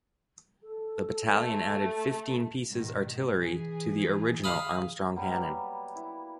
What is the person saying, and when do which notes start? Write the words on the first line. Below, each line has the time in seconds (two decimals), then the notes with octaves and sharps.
The battalion added fifteen pieces artillery to the original Armstrong cannon.
0.63 A4
1.32 A3
2.69 G#2 B2 D#3
3.38 E3 G#4
4.44 F5 B5 D#6
5.16 F#3 G3 A#3 B3
5.95 E4